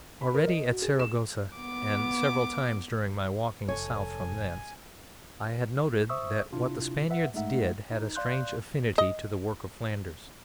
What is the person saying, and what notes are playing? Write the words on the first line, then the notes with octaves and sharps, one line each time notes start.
Already at Saragossa, and several times during my walking south from thence, I had noted that what the Spaniards did had a strange affinity to the work of Flanders.
B5
A#4
D#5
F#4
G#4
E7
B3 D6
F1 A4 C#5 G#5
C5 E5 C#6 D#6 E6
C3 D4 E4 F4
B4 E5 F#5
G#3 A3 D#4 E5 F#5
D#4
D5 F5 C6 F#6 G6
D#5